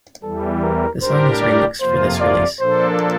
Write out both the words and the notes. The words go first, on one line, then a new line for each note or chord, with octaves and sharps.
The song was remixed for this release.
E2 E3 G3 A4
A#4
A2 G3 D4 G4 A#4 C5
D5
F2 C3 F3 A#3 F4 C5
D5
A#2 F3 A#3 D4 A4 C5